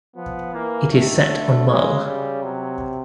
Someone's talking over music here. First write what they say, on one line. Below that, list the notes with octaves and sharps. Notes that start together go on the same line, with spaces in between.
It is set on Mull.
F3 B3
E3 A#3
D#3 A3
D3
C#3 G#3
C#3 G3
C3 F#3